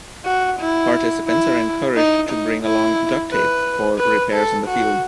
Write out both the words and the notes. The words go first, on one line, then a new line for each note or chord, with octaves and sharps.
Participants are encouraged to bring along duct tape for "repairs in the field".
F#4
E4
E4
D#4
D#4
E4
B4
B4
A4
F#4